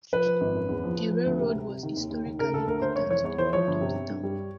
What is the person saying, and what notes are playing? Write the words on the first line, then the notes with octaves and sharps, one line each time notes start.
The railroad was historically important to the growth of the town.
F3 B4
F3
G#1
F#2
E2
F3
F3
F3
D2
C3
C3
C3
D#3
D#2
D#2
D#3
C#3 A#4
D2 A4
D2 A#4
D2 C5
F1 C#5
E3 C#5
E2 C#5
E3 C5
F3 C#5
G1
C3
C3
G2
G3